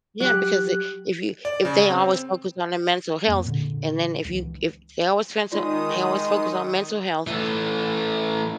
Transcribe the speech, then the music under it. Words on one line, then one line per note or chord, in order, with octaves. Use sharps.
Yeah, because i if you if they always focus on their mental health and, then, if you if they always trying to they always focus on mental health
F#3 G4 F#6
D5
C#3
C4
F2 A#3 C4
A#2 D3
C#2 E3
D#3 G#3 D#4 F4 D5 D#6
E3 A3